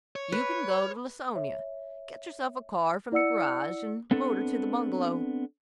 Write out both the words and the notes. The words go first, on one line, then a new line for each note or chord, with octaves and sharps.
You can go to Laconia, get yourself a car from the garage, and motor to the Bungalow.
C#5
B4
C#5 E5
E4 D5 F#5 E6 C#7
B3 C4 D4 A4